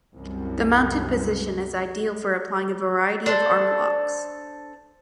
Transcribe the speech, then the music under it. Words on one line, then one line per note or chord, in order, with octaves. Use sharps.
The mounted position is ideal for applying a variety of armlocks.
C2 F#2
D4 A4 C5